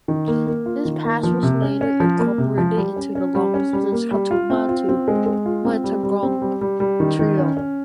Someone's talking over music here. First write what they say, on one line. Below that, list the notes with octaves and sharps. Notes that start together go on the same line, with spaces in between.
This pass was later incorporated into the long-distance Katoomba to Mittagong Trail.
D#3
A#3
A#3
F4
D#3
A#3
F3
C3
C#4
C#4
F3
A#3
C3
F3
G3
C#4
C#4
G3
C#4
G3
A#3
G3
F4
C4
F4
C4
G#3
G#3
F4
C4
G3
G3
C4
G3
G3
G3
D#3
D#3
C#4
C#4